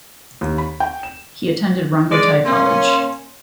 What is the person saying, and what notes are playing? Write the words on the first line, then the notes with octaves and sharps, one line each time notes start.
He attended Rongotai College.
D#2
B5
G5
E7
G#3 D5
A#3 C#4 C6